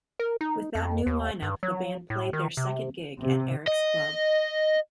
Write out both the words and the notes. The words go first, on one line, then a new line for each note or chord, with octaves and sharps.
With that new line-up, the band played their second gig at Eric's Club.
A#4
D#4
F2
D#2
G2
F#3
A2
D#3
C3
C3
D#5